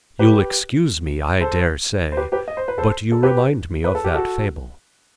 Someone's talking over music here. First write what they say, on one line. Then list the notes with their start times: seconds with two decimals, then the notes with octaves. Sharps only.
You'll excuse me, I dare say, but you remind me of that fable.
0.19 G4 B4
1.41 A4 C5
2.12 C5
2.17 G4 B4
2.32 G4 B4
2.48 D#5
2.57 C5
2.68 B4
2.78 A4 C5
3.12 A4
3.23 G4 B4
3.84 B4
3.95 A4
4.04 G4
4.15 F#4 A4